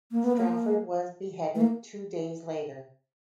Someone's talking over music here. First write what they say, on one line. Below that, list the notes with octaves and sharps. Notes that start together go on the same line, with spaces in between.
Strafford was beheaded two days later.
A#3
B3
A#3
A3
A#3